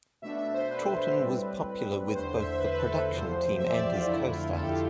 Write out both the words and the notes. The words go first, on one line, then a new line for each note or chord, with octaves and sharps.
Troughton was popular with both the production team and his co-stars.
B2 A3 D4 E5
E5
C5
B4
A2 G3 C4
E2 D3 A3 C5
E5
E5
B4
C5
B4
A4
B4
E2 C3 F3 A3 C5
E5
D5
G4
F4
F2 D3 A3 E4
F4
A4
G4
F4